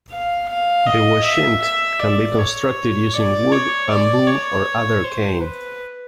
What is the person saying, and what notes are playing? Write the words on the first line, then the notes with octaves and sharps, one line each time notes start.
The "washint" can be constructed using wood, bamboo, or other cane.
F5
F5
D#5
E5
E5
D5
C#5
D5
C#5
D5
C#5
C5
B4